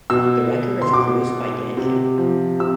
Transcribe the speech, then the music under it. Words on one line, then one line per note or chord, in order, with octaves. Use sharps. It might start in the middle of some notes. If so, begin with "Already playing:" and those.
The record was produced by Dan Carey.
B2 E6
C6
B2 D6
C3
F3
C3 E6